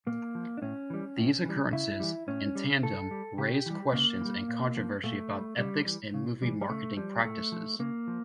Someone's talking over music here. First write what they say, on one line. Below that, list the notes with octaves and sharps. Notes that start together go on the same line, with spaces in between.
These occurrences, in tandem, raised questions and controversy about ethics in movie marketing practices.
A#2 A#3
F3
D4
A2 C#4
E3 G3
A2
E3 G3
C#3 E4
E3 G3
A2 C#4
G3
C#3 A4
G3
C#3 G4
E3 G3
C#3 A#3
E3
G3
A#2
F3
A#2 A3
G3
C#3 G3
E3 G3
C#3
E3 G3
G3
C#3 A3
F3 G3
A2 A3
F3
C#3 A#3
F3